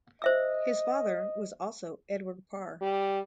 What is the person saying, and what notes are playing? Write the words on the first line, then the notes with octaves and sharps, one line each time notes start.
His father was also Edward Parr.
C5 D#5 E5 E6
G3